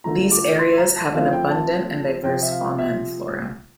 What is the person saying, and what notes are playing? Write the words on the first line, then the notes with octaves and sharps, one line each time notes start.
These areas have an abundant and diverse fauna and flora.
D3 A3 D4 F4 A#5
D6
C6
A#5
A5
F3 A3 C4 E4 F5
G5
A5
C3 F3 C4 F4 G5
E5
F5
E5